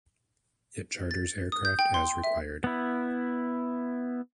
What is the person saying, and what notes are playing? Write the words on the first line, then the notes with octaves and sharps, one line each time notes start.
It charters aircraft as required.
A6
D#6
G6
G5
C6
E5
B3 E4